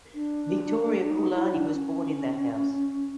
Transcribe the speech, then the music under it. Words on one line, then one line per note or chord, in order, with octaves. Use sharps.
Victoria Kaiulani was born in that house.
D4
D#4
E4
D4
C#4